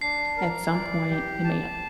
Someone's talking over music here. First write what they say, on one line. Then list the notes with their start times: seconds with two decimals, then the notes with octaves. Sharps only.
at some point, it may not
0.01 D4 C7
0.37 A#4
0.73 D5
1.09 G4
1.44 A5